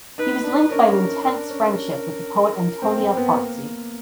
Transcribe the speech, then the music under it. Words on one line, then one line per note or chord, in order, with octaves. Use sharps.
He was linked by an intense friendship with the poet Antonia Pozzi.
D#4 B4
D4
C#4 A#4
D4 A#4
C#4
C4
C4
B3
A#3